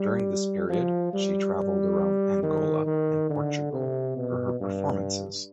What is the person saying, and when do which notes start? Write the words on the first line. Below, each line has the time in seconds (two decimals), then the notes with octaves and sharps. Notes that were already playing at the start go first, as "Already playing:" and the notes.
During this period, she travelled around Angola and Portugal for her performances.
Already playing: G3
0.69 F3
1.13 G3
1.56 G3
2.43 D#3
2.86 D#3
3.30 D3
3.73 C3
4.17 B2
4.60 G2